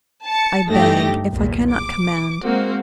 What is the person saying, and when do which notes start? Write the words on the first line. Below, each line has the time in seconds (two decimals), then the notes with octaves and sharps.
I beg--if I cannot command.
0.24 A5 C#7
0.69 G1 G2 A3 D#4 G4 A#6
1.30 B1 E2 A#2
1.74 D6
2.44 G#3 A#3 C4 F#4